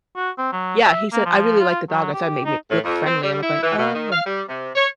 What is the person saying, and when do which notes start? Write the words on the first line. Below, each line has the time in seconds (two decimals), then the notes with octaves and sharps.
Yeah, he said, "I really like the dog, I thought it made me look friendly." I'm like, "Oh, ok"
0.16 F#4
0.38 C4
0.53 F#3
0.84 E5
1.13 A#3
1.26 F3
1.60 F4
1.90 F#3
2.14 G4
2.45 D#4
2.70 A2
2.84 F2
3.06 C4
3.23 G3
3.42 E4
3.63 E3
3.77 B2
3.94 D#3
4.11 F5
4.26 G3
4.48 C3
4.75 C#5